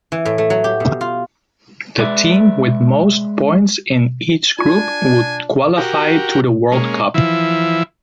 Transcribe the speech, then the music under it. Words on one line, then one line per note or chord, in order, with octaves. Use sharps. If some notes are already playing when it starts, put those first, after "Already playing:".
The team with most points in each group would qualify to the World Cup.
E3
A2
A3
F#3
G4
B2
F4
G#3 B4 D5 E5
D4 F4 G#5
F#4 G4 A#4
G#3 A#3 C#4
E3 F3 E4